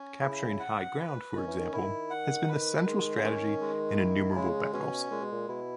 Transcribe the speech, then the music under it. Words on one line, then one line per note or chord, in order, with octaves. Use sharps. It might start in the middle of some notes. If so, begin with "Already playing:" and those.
Capturing high ground, for example, has been the central strategy in innumerable battles.
Already playing: C#4
C#3 E4
F#5
B4
D#3 C#4
E3
D#3
D#3 E4
F#5
B4
D#3 G#3
C#3
D#3 C#4
G#3
E4
C#3 G#3
B2 C#4
A#2 G#3
B2
A#2
B2 E4